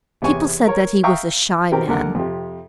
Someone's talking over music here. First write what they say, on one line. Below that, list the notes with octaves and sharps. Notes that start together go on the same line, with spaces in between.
People said that he was a shy man.
E2 C3 C#5 G#5 C#6
A#4 C#5
E5 F5 G5 A#5 C#6 D#6
B2 C4 G4 A#4 G5
D#2 D3 A#4 F#5
F2 C3